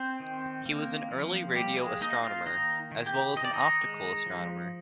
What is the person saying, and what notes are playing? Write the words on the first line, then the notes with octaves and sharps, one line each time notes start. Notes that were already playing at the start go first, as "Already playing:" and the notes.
He was an early radio astronomer, as well as an optical astronomer.
Already playing: C4 C5
D#3
A#3
F3
G3 A#3 G4
G#3 G#4
A#3 D#4 D#5
F4 F5
D#3 D#4 D#5
D#3
G4 G5
D#3 D#5
D5
D#4 D#5
G#3
F3